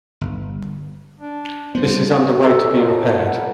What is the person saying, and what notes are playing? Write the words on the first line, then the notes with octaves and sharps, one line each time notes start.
This is underway to be repaired.
G1
D4
G3 B3 C5
D#4 A4 B4 D5
C#4 G#4
C4 A4 A#4
E4 A4 A#5
F#5
A#4 B5